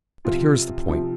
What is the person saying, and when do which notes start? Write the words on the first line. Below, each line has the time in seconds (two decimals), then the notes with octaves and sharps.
But here is the point.
0.25 C3 F3 F4
0.89 C3 F3